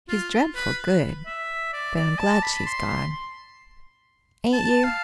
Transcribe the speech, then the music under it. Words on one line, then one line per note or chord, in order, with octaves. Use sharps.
"She's dreadful good; but I'm glad she's gone: ain't you?"
F4
B4
E5
D5
D5
A5
B5
C6
A5
F5